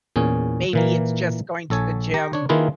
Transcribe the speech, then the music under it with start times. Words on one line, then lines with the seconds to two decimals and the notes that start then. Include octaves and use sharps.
Maybe it's just going to the gym
0.16 E2 A#2 C#4 G#4
0.73 A#2 E3 A#3
1.70 A#1 A4 C#5 G#5
2.14 G4 A#5
2.33 D4 C#5
2.49 D#3 A#3 E4 F4 G#4 B4